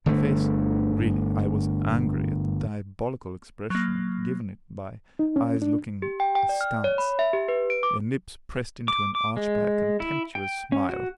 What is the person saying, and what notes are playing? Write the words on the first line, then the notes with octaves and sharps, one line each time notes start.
The face--really, I was angry at the diabolical expression given it by eyes looking askance, and lips pressed into an arch by a contemptuous smile.
G1 D3 A3
F#3 A#3
D#4
C#4
D4
G4
G5
G5
D5
F6
C#5
B5
E5
G4
B4
D7
D6
D6
D6
G#3
E4
G5
C#4
F#4